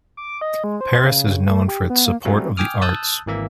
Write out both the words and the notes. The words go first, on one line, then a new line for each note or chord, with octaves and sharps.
Paris is known for its support of the arts.
D6
D#5
G#3
C5
C#3
A3
G4
B3
A#3
F#3 G3 A3 C4 C#4
G5 G#5 D6 D#6 F6
A5 D#6 E6 F#6 G6 A6
G#1 E3 A#3 E5